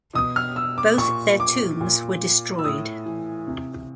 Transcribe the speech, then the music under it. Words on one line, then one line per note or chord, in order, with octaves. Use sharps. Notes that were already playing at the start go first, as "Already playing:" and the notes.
Both their tombs were destroyed.
B2 D#6
F6
E6
D6
A#2 C#6
D6
A#2
E6
A2 D#6
E3
C3